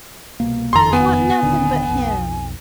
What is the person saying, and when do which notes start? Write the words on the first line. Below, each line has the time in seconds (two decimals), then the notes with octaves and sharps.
"I don't want nothing but him."
0.40 C2 B2 A#3
0.73 F#1 F2 D#3 A#5 C6
0.93 B3 G#5
1.42 D#1 D3 D#3
1.88 B1 F2